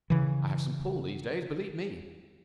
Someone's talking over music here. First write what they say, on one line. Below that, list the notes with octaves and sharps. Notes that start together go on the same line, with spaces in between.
I have some pull these days, believe me.
C#3 E3